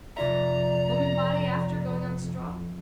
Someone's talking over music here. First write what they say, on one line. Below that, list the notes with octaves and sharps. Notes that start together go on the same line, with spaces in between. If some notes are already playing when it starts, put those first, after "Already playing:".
Womanbody after going on the straw?
F2 C3 F4 D5 E5 A#5